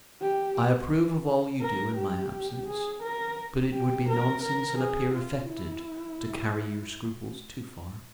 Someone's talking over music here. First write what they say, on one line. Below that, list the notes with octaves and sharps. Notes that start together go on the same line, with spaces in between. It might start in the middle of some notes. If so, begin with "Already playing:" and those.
I approve of all you do in my absence; but it would be nonsense, and appear affected, to carry your scruples too far.
G4
A#4
G4
G#4
A#4
G4
A#4
A#4
G#4
F4
E4